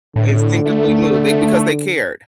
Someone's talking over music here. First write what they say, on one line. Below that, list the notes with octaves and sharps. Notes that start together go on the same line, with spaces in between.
they instinctively knew. They because they cared.
A2 D3
A3